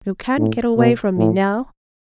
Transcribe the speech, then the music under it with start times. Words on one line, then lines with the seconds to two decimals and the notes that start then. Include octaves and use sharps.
You can't get away from me now.
0.37 A2
0.77 B2
1.18 A2